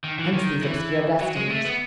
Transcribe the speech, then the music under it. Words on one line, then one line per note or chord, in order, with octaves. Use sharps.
Hence these obscure destinies.
D#3
E3
D#3
E3
F#3
G#3
A3
B3